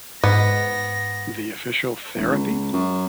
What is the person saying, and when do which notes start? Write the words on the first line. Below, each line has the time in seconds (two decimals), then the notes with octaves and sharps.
The official Therapy?
0.24 G#2 B3 A#6
2.16 E1
2.31 C#2
2.73 F#2